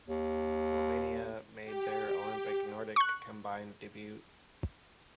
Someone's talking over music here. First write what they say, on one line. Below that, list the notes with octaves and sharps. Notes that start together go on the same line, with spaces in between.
Slovenia made their Olympic Nordic combined debut.
D#2
G4
C#6 F#6